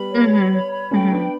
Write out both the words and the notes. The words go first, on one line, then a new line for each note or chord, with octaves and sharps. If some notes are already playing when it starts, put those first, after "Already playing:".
Mhm. Mhm.
Already playing: G3 B3 B5
C#5
B5
C#5
B5
A3 C#4 G5
B3 D4 B5